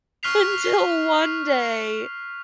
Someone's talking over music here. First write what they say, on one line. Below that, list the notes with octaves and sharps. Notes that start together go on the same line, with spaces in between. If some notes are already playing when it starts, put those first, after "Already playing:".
Until one day,
C#6 F6 F#6 B6 C7 F7